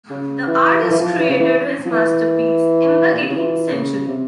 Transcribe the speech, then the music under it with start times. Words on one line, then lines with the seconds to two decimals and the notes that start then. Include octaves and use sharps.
The artist created his masterpiece in the eighteenth century.
0.10 C#3
0.47 E3
0.83 F3
0.91 E3
0.99 F3
1.19 E3
1.29 C#3
1.40 E3
1.85 F3
1.91 E3
3.14 A#2
3.21 C3
3.28 C#3
3.36 E3
3.72 C#3
4.08 C3